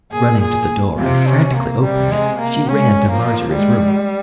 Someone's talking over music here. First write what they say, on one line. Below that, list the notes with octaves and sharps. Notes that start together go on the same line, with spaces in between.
Running to the door and frantically opening it, she ran to Marjory's room.
A#2 G#4
G#4
C3 F4
C#4
A#3
C3 G3
G#3
A#3
G#3 C#4
F3 A#3
G3 G#3